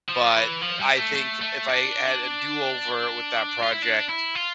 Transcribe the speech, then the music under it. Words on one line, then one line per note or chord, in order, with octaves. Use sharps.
but, eh, I think, if I had a do-over with that project,
F3
E3
F3
G3
A3
A3
A3
D4
F4
E4
D4
E4
F4